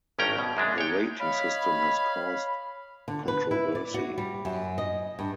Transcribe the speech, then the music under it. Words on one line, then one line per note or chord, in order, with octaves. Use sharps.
The rating system has caused controversy.
G#1 G2 C#4 A#4 G5 A#5
B2
F#2 G#3 D4
C#5 G5
C#5 D#5 F5 B5
D3
B4
E4
D5
F#4
G3
F#2
D#5
G2